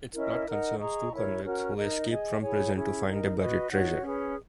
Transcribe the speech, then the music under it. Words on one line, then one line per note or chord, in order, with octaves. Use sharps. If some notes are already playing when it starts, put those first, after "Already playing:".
Its plot concerns two convicts who escape from prison to find a buried treasure.
C#4 E4 A#4 D#5
D#4 A#4 D#5 F#5
G#4 D#5 A#5 C#6
E4 A#4 C#5
C#4 F#4 A#4
D#4 A#4 D#5
G#4 D#5 G#5
E4 G#4 C#5 G#5
C#4 E4 G#4
D#4 A#4 D#5
F#4 B4 D#5
D#4 F#4 C#5 F#5
C#4 G#4 B4